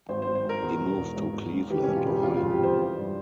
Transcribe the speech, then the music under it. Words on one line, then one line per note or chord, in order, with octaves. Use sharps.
He moved to Cleveland, Ohio.
G#1 C5
C5
G#1
C5
G#1 A#4
E2
E1
E2
G#1
G#2
G#2
E3 G4
E1 C#4
F4
C#3 G4
C3 F4
F2 F4
G4
F2 C5
E3
G2